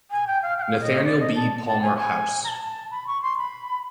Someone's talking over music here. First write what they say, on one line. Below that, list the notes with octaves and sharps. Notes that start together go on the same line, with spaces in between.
Nathaniel B. Palmer House.
G#5
G5
F5
G5
F5
D#5
D5
D#5
A5
A5
G#5
G#5
A#5
A5
B5
C#6
C6
B5